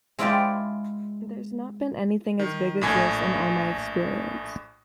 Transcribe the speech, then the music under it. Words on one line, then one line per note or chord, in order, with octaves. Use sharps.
There's not been anything as big as this in all my experience.
G#3 E4 F4 D5 E5 G5
D#3
A#1 A2 G#5 G#6